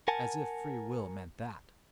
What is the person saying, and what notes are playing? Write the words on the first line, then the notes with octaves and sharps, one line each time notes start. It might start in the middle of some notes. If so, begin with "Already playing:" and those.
As if free will meant that!
A#4 F#5 G#5 A5